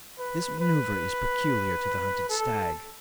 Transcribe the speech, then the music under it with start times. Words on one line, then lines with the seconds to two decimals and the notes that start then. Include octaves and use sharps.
This manoeuvre is peculiar to the hunted stag.
0.18 B4
0.61 B4
2.29 A4